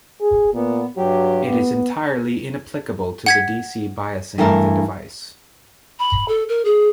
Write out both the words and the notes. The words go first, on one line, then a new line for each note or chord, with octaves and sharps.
It is entirely inapplicable to the dc biasing of the device.
G#4
A#2 B3
G2 F#3 G4
B3
F#5 G#6 B6
G2 E3 A3 A#4 A5
B5
A4
A#4
G#4